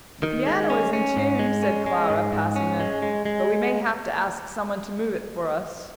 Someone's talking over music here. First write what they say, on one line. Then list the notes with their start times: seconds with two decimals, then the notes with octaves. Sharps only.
"The piano is in tune," said Clara, passing them, "but we may have to ask some one to move it for us."
0.23 D#3
0.47 G#3
0.70 C#4
0.93 C#4
1.17 G#2
1.39 G#3
1.63 C#4
1.86 G#3
2.10 G#2
2.33 G#2
2.56 C#4
2.80 G#3
3.02 G#3
3.26 G#3